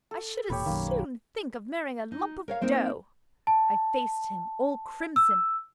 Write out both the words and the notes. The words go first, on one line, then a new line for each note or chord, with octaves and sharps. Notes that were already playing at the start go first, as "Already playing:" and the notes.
I should as soon think of marrying a lump of dough.' I faced him all crimson.
A4
E1 A#2 G4 C#5 B5
B1 F#2 D#3 A#3
D#4
A#4 C#5 F5
A#3 C4 D#4 A#4
A5
E6